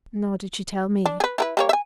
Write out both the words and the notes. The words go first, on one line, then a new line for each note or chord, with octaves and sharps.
"Nor did she tell me."
D4
G#4 B4
E4 A#4 B4
G3 A#3 C#5
E5 G#5